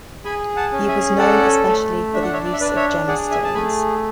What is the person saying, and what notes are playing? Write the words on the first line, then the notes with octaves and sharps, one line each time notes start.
He was known especially for the use of gemstones.
G#4 G#5 B5
F#5 A5
C#4
E5 G#5
A4 D5 F#5
A3
D4 E5
F#5
C#5 E5
D5
E5
D4 B4 D5
C#5 E5
G#4 D5 F#5
E5 G#5
A5
A3 G#5 B5